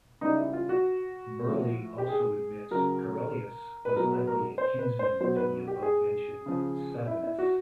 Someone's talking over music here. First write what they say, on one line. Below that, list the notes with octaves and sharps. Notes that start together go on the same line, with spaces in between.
Birley also admits Caerellius was likely a kinsman to the above-mentioned Sabinus.
C#3 E3 G3 D#4
E4
F4
F#4
A2 F3
G4
G#4
C#3 F#3 A#4
B4
B2 F#3 A#4
B4
A#4
C5
B4
C5
B2 F#3 C5
B4
G4
G#4
C#3 F3
E4
E4
F#4